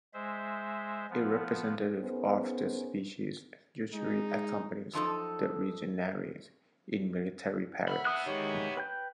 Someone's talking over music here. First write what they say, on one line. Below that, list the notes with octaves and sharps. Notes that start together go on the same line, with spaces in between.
A representative of the species usually accompanies the legionaries in military parades.
G#3 C5 E5
F3 B3
B3 C#4 D#4 G#4 A#4 C5
G#3 D#4
F#2 F3 D#4 A4
E5 F#5 B5 F6
B3 E4 D#6 F#6
D#3 G#3 D#4 G4 C#5
B4 G5 G6